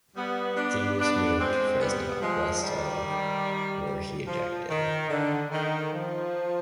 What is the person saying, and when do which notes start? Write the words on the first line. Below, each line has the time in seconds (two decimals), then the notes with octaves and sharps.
Steeves moved to Fresno, west of where he ejected.
0.16 G3 B3
0.56 B3 D4
0.98 B3 D4
1.40 G#3 C4
1.80 G3 B3
2.22 F3 G#3
2.62 D#3 G3
4.27 F3
4.69 D#3
5.09 D3
5.51 D#3
5.92 F3